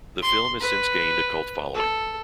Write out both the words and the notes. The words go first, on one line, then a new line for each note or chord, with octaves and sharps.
The film has since gained a cult following.
C6
B4
A4